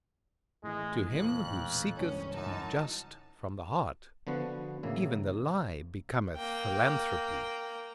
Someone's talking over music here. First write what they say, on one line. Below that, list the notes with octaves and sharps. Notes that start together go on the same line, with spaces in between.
To him who seeketh to be just from the heart, even the lie becometh philanthropy.
A2 E3 G#3
E1 A1 F2 A#2 F#6
C#2 G2 E3 C#4
F#2 D#4 A5
D3 F3 B3 F#4
A1 C#3 A#3 E4
A#3 G5